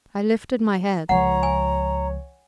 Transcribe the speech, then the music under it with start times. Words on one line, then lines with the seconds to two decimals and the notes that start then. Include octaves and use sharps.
I lifted my head.
1.09 C#2 F3 C#5 F#5 A#5
1.43 G#5